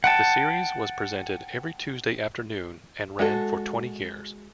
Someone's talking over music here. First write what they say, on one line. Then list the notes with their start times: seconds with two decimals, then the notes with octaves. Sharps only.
The series was presented every Tuesday afternoon and ran for twenty years.
0.04 F#5 G5 A5
3.19 G#3 F#4 A4